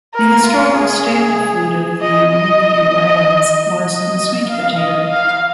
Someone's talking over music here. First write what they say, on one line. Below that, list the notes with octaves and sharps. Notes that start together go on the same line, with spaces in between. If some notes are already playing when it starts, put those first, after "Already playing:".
The historical staple food of the Ryukyu Islands was the sweet potato.
A#4
F4
G#4
D#5
D#5
D#5
F5
D#5
F5